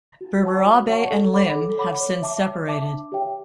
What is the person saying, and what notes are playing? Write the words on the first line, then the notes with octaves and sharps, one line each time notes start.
Berberabe and Lim have since separated.
F#4
C#5 F#5 A5 C#6
F#4
C#5 F#5 A5 C#6
A4
C#5 F#5 B5 D6
A4
C#5 F#5 B5 D6
C#5
E5 A5 D6
C#5
E5 A5 D6
D4
G4 C#5 E5 G5